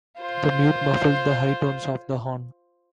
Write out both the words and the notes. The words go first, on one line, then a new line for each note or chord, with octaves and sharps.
The mute muffled the high tones of the horn.
F4 C5